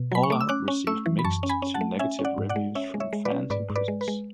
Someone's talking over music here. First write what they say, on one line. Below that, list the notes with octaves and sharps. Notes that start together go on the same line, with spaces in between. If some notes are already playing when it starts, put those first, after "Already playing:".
All Out received mixed to negative reviews from fans and critics.
Already playing: B2
F#3 B5
C#6
A3 D6
E6
C#4 D6 F#6
C#4
A3 C#6 E6
E3
B5
F#2 A5 C#6
C#4
G#5 B5
C#4
F#5 A5
A3
C#4 E5 G#5
C#4
D5 F#5
G#2
D5 F#5
G#3
C#4 C#5 E5
G#3
C#5 E5
G#3
B4 D5
C#4
G#2 B4 D5
G#2
B4 D5
G#3
B4
G#3